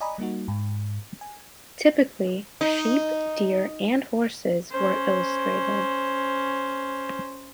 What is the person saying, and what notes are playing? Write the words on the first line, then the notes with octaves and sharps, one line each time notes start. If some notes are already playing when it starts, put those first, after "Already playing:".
Typically, sheep, deer, and horses were illustrated.
D5 D#5 G#5 A#5 B5 D#6
G3 A#3 D#4 F#4
G#2
G#5
D#4
C#4 C5